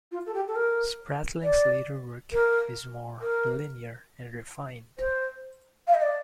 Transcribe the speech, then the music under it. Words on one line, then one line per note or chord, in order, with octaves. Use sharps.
Spratling's later work is more linear and refined.
F4
A4
G4
A4
A#4
D5
A#4
A#4
C5
F5
D#5
D5